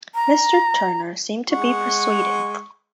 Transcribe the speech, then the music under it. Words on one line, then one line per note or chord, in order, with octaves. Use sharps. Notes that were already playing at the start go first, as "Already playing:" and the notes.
Mr. Turner seemed to be persuaded.
A#5
G#3 F#5 C#6